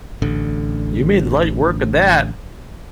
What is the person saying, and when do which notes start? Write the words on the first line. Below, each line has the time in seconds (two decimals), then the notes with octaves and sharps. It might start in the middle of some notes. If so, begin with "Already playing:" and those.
You made light work of that!
0.22 A1 D3